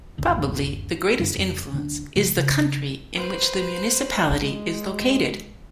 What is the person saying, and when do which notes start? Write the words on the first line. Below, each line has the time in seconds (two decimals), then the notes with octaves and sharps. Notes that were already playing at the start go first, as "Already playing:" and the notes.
Probably the greatest influence is the country in which the municipality is located.
0.18 G1 D#2 D3
1.19 F#2 D3 G3 D4
1.38 F2
1.72 D1 D3 D4
2.16 C3 F3 G#3 A#3
2.37 C#3
3.14 B4 C5
4.36 G#3